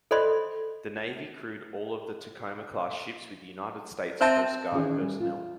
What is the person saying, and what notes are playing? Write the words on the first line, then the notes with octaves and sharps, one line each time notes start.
The Navy crewed all of the "Tacoma"-class ships with United States Coast Guard personnel.
A4 C5 D5 D#5 B5 C6
C4 C5 E5 A5
D#3 E3 C#4 G#4
G3
F4